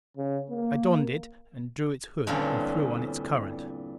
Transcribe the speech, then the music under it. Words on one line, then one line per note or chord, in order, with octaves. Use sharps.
I donned it and drew its hood, and threw on its current.
C#3
A#3
E2 G2 A#2 D3 C4 C#4